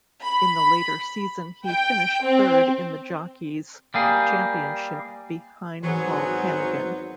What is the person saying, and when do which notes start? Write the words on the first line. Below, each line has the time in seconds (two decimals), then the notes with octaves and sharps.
In the latter season he finished third in the Jockeys' championship behind Paul Hanagan.
0.22 B5
1.67 G5
2.24 C4
3.94 G3 A#3 G#4
5.83 G#1 E3 F#3 B3 G#4 C5